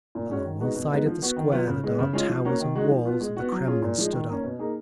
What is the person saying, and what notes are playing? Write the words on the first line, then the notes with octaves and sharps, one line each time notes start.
Along one side of the square the dark towers and walls of the Kremlin stood up.
A#2
G#3 C#4 F#4
D#3
G#3 B3 D#4 F#4
B2
G#3 B3 D#4
F3
B3 F#4
D#3
F#3 B3 F4
C#3
G#3 B3
C#3
G#3 C#4 F4 G#4
F3
A#3 C#4 F#4
D#3
G#3 D#4 F#4
F3
B3 F4
G#3
B3 F#4
F#3
C#4 F4 G#4
A#2
F3 G#3
D#3
A#3 C#4
B2
A#3 D#4 G#4